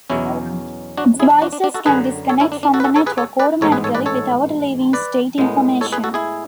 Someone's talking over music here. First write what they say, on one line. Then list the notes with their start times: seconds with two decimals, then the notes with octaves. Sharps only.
Devices can disconnect from the network automatically without leaving state information.
0.10 E2 B2 F#3 C#4 E4
0.98 D4 F#4
1.19 E4 G#4
1.42 D4 F#4
1.53 D4
1.64 D4
1.74 F#4 A4
1.86 F#2 D3 F#3 G#4 B4
2.29 A4 C#5
2.40 C#4 E4
2.52 D4
2.63 D4
2.74 F#4 A4
2.80 B4
2.84 F#4 A4
2.96 A4 C#5
3.06 G#4 B4
3.18 A4 C#5
3.39 B4 D5
3.61 A1 G#2 G#3 B3 A4 C#5
3.72 G#4 B4
3.84 A4 C#5
3.95 B4 D5
4.06 A4 C#5
4.93 B4 D5
5.38 A2 G#3 B3
5.81 A4 C#5
5.92 G#4 B4
6.04 F#4 A4
6.14 E4 G#4